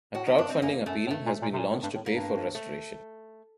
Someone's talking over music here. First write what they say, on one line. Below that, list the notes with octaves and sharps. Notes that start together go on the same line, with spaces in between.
A crowdfunding appeal has been launched to pay for restoration.
A2 F#4
D#4
G2 D4
C4
F#2 A#3
F#2 A3
A2
G2 A3
A#2
A#2
C3
A#2
A2
G2
A2
G2 A#3
A3